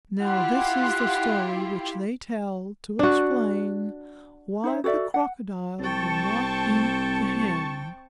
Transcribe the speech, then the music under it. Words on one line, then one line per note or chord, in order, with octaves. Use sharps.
Now this is the story which they tell to explain why the Crocodile will not eat the Hen.
E4 F4 G4 F#5
D4 F#4
D#4 C5 E5
F#4 A4 D5 E5
F#5
C2 C4 G5 A5 C#6